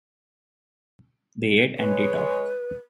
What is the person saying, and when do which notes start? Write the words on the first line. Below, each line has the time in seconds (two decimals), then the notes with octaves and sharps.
They eat and they talk.
1.78 G#3 B4 C#5